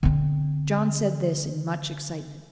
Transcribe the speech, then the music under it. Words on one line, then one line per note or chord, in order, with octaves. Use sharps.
John said this in much excitement.
D3 C4